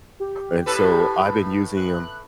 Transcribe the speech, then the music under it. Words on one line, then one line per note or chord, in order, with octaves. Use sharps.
And so, I’ve been using ’em
G4
A2 A4 B4
F#6